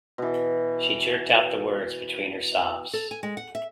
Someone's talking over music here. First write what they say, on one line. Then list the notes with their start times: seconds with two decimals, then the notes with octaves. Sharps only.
She jerked out the words between her sobs.
0.18 B2 E3
2.93 A4
3.11 G#5
3.23 G#3
3.37 F#5
3.55 E5